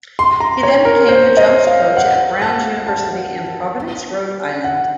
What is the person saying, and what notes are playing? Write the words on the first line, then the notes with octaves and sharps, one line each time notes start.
He then became the jumps coach at Brown University in Providence, Rhode Island.
C6
A#5
C#5
A#4
C5
D#5
F5
F#5
A5
A5
F#5